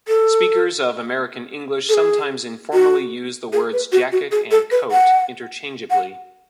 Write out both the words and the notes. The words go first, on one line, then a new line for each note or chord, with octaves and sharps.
Speakers of American English sometimes informally use the words "jacket" and "coat" interchangeably.
A4
A4
G#4
F#4
G#4
B4
F#4
F#4
G#4
A4
B4
F#5
F#5